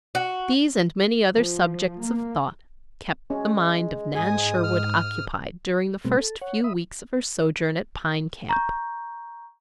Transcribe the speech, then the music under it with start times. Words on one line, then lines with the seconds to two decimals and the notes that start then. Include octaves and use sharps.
These, and many other subjects of thought, kept the mind of Nan Sherwood occupied during the first few weeks of her sojourn at Pine Camp.
0.15 F#4
1.37 F3
2.04 A#3
3.30 G#3 C#4
4.15 G#2 G#4 G#5 D#6
4.63 F6
6.04 B2 G3 A3 B3 C4
6.20 A4
6.41 C#5 F#5
6.64 E5 B5 D#6
8.49 A#5 C#6 G6